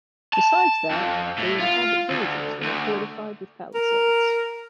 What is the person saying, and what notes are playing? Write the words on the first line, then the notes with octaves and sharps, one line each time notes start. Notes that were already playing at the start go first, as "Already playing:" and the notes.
Besides that, they inhabit villages that are fortified with palisades.
A5
F2
A2
F4
D2
D2
A#4